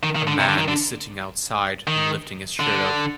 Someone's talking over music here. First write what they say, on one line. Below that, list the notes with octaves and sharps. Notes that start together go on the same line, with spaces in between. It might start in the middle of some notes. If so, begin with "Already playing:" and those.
A man is sitting outside and lifting his shirt up.
D#3
D#3
D3
C3
D3
D#3
D3
D#3
D3